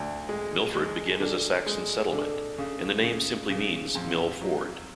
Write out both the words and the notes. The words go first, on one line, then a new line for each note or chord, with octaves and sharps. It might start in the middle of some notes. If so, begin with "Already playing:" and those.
Milford began as a Saxon settlement, and the name simply means "mill ford".
Already playing: D2
G#3
G#3
D3
G#3
D3
C#3
C#3
C#3
F2
F#3